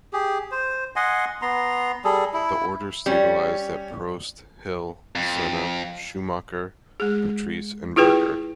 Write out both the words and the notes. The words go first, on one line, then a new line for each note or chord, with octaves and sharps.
The order stabilised at: Prost, Hill, Senna, Schumacher, Patrese and Berger.
G4 G#4
C5
D#5 F#5 G#5 C6
B3 A#5 C6
G3 G#4 A4
E4
G3 C#4
F2
G#3 G#4
E4 F4 G#4 B4 G5